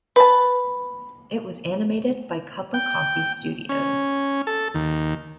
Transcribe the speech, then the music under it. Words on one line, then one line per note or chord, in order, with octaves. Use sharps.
It was animated by Cuppa Coffee Studios.
B4 A5
G5
C#4
A4
D#2